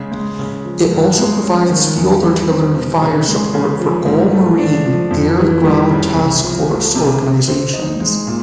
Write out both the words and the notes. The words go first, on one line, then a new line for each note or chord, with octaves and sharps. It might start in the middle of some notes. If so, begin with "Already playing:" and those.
It also provides field artillery fire support for all Marine Air-Ground Task Force organizations.
Already playing: C#3 G#3
G#3
C#3
F3
G2
G#3
C#4
D#3
E2
G3
C4
B2
C#3
G#3
C#3
F3
G#2
A3
D4
F3
F2
E3
G3
C#3
C2
F3
A3
C3
B2
C4
D#4
G#3
A#2